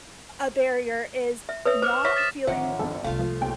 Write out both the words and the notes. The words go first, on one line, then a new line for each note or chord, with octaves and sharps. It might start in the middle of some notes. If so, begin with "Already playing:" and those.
a barrier is not feeling
E5
B4 C#5 E5 D#6
C5 D6 F6
C#5 E5 C#6 B6
A6 E7
A1 D3 D#3 F3 C#5 E5 F#5
G1 F2 A4
C2 C3 A3 F4 F5
F3
F#1 D#2 G5